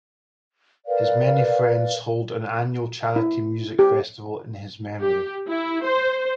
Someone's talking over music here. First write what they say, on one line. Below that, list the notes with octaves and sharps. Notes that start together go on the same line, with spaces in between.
His many friends hold an annual charity music festival in his memory.
A#4 B4 D5 F5
E4
G4
G4
E4
C5